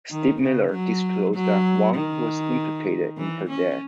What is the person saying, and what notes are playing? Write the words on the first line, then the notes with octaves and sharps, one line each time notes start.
Steve Miller disclosed that Hwang was "implicated" in her death.
D#3
C#3
F#3
F#3
D#3
E3
C#4